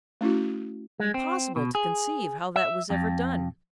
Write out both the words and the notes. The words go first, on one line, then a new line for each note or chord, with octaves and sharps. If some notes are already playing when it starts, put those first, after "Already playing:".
Impossible to conceive how that was ever done....
A3 C#4 E4 F#4
G#3
C4
B2
G#4
E5
F2